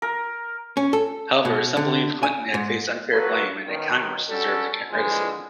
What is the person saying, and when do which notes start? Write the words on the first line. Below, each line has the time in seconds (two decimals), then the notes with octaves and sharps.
However, some believed Clinton had faced unfair blame, and that Congress deserved the criticism.
0.02 A#4
0.77 C#4
0.93 A4
1.45 B2
1.77 D3
2.23 G#5
2.54 G#2
3.12 A#2 F#3 A#3 F#4 A4 B4
3.65 B1 D#3
4.28 G3 C#4 F#4 A4
4.89 A#2 D3 E3 F3 G#3